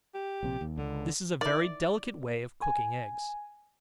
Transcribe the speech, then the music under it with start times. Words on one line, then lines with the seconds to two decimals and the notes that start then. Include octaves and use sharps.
This is a very delicate way of cooking eggs.
0.14 G4
0.43 A#1 C3
0.61 D#2
0.77 C#2 D3
1.41 D#3 E4 D5
2.62 G#5